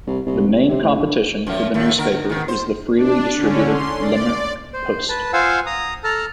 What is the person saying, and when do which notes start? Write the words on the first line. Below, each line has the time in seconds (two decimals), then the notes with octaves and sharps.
The main competition for the newspaper is the freely distributed "Limerick Post".
0.07 C2
0.26 C2
0.47 D1
0.69 C3
0.83 A2
0.98 D3
1.47 F#2 F3
1.74 D#2 A3
1.98 D3 A#4
2.30 G#2 D#3
2.48 C5
2.95 D4
3.36 D3 C#4
3.69 C6
3.98 D5
4.73 C5
5.09 B4 A5
5.33 F4 C5 F5 F#5 G#5 E6
5.66 A#5 D#6
6.04 A4 A5 A#5 F6